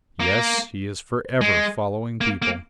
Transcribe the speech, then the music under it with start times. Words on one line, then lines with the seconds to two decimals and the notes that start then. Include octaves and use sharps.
Yes, he is forever following people.
0.20 A#3
1.41 G#3
2.21 A#3
2.42 A#3